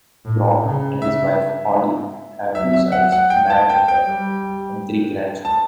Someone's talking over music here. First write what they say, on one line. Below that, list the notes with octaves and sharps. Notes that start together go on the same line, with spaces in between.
Grobe and his wife Holly have two sons, Matt and Ben, and three grandchildren.
A2
C#3
E5
F#3 E5
E5
F#5
F#5
G5
A5
G5
G5
G3
A5